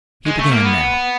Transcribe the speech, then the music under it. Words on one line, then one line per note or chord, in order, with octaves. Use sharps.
He began now.
G#3
A3
A#3
B3